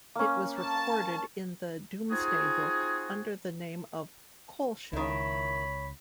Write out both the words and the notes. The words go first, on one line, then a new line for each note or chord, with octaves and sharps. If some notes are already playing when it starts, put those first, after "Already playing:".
It was recorded in the Domesday Book under the name of Coleshill.
A#3 C#4
A5
C4 D#4 F4 F#4 G#4
C#2 D#3 E4 C#5 B5